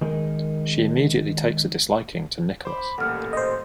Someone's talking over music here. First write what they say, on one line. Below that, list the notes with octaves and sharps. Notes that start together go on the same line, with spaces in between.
She immediately takes a disliking to Nicholas.
D#3 G#3 D#4 G#4 A#4
C5 B5 D6
A1 A#2 G3 A4 F#5 F6
C5 D#5